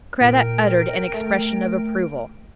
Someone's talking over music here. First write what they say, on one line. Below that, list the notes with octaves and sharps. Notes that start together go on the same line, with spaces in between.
Kreta uttered an expression of approval.
A#2 A#4 G5
A3